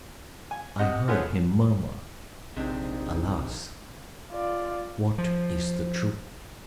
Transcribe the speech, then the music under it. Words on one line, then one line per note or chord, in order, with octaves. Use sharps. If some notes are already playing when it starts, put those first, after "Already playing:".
I heard him murmur, "Alas! what is the Truth?"
G#5
C3 D#5 F#5
F3 G#3 A3 B3 C#4 G#4
A#1 C3 G#3 C4 D4 D#4
F4 D5
F3